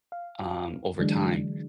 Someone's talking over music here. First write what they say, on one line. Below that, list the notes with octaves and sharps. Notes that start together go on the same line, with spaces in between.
um, over time,
F5
D3 E3 F#3 G#3 D4